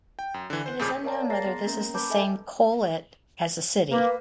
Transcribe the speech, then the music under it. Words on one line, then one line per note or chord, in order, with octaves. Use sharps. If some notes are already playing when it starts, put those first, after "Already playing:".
It is unknown whether this is the same Kohlit as the city.
G5
F#2
D3 E3
C5
F2 A#2 C#3 G#4 D6 G6
A#4 C#5 D5 F5 A5 A#5
G#4 A#5 A6 A#6 C7
B3
A#3 C#4 A#4 A#5
B4 A5 B5 D6 G6
A4 D#5 E5 G#5
A#3 B4